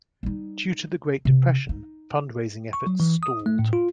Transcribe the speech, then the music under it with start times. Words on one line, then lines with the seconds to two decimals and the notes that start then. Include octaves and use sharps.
Due to the Great Depression fund-raising efforts stalled.
0.23 G3 D#4
1.25 C3
1.69 D#4
2.73 C#6
2.87 F#3
3.00 E3
3.23 D#6
3.46 A3
3.59 A2
3.73 F4